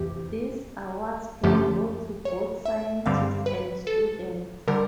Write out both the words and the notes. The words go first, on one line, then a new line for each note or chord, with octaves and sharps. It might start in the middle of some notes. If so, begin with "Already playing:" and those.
These awards can go to both scientists and students.
Already playing: F2 C3 E3 G4
F#2 D3 F3 A3 G4
C#5
E5
G2 D3 G3 C4 F5
B4
A4
D3 G3 A#4